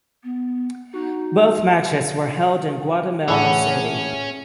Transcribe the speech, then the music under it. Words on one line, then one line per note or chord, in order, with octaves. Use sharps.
Both matches were held in Guatemala City.
B3
D#4 F#4
A2 E3 C#4 G#4 E5 F#5